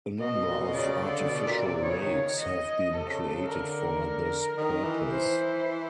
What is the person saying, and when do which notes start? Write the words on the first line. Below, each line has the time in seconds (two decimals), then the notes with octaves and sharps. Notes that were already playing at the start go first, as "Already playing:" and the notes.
A number of artificial lakes have been created for this purpose.
0.20 B2 D#5
0.34 B2
0.48 A#2
0.61 B2
0.74 C#3 D5
1.02 D3
1.29 B2
1.47 A#2
1.66 C3
1.83 C#3 C#5
2.02 D#3
2.38 D#5
2.93 C3 A4
3.07 C#3
3.24 C3
3.34 C#3
3.48 D3 A#4
4.57 D#3
4.84 E3
5.12 C5